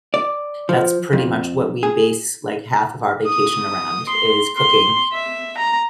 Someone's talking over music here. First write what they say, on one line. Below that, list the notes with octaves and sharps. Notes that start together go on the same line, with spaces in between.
that's pretty much what we base, like, half of our vacation around is cooking.
D5
F3
F2
G#4
D#6
C6
C6
E5
A#5